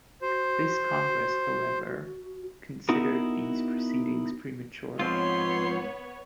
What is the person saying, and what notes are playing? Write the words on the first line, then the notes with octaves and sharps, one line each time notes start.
This Congress, however, considered these proceedings premature.
F#4 C5
B3 D#4 E4 F#4 A#4
G#2 F3 B3 C4 F4 C#5 C6